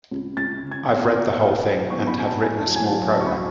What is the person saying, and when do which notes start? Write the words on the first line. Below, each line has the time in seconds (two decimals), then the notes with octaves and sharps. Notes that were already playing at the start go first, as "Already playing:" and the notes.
I've read the whole thing and have written a small program.
0.11 C#2
0.37 C#2 A6
0.63 C#3
0.71 G#6
0.88 B3
1.13 B2
1.40 E4
1.65 F#3
1.90 B3 C#6
2.07 B5
2.16 B2 G#5
2.24 A5
2.41 E4 G#5
2.58 A5
2.67 F#3
2.76 G#5
2.86 A5
2.92 F#3 G#5
3.10 A5
3.18 D2 C#6
3.27 B5